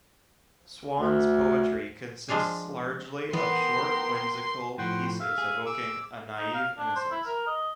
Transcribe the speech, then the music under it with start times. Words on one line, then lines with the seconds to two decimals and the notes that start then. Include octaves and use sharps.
Swann's poetry consists largely of short, whimsical pieces evoking a naive innocence.
1.00 D2
2.28 F3 G#3 D4 F5 G#5
3.33 E3 B3 A#4 G5 C6
4.78 A2 F3 F#5 G5 C6
5.20 E5 F5
5.38 G#4
5.66 D6 E6
6.37 D#4
6.54 F5
6.78 D4
6.96 C5
7.11 E4
7.26 A#4
7.47 D#5